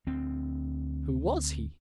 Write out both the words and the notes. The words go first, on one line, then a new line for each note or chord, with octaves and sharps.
Who was he?
D2 C4